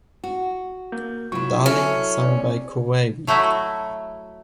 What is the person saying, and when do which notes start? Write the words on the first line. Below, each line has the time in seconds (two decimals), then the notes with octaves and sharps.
Darling sung by Corabi.
0.24 F#4
0.92 A#3 G6
1.32 C3 F#3 E4 F4 C#6
1.66 C#4 A4 E5 F6
2.25 C4 D5
3.27 F#3 A3 E4 F#4